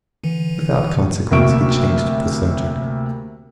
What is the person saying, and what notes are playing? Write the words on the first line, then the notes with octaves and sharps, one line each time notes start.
Without consequence he changed the subject.
D3 E3
D2 C3 A#3 E5 C#6 D7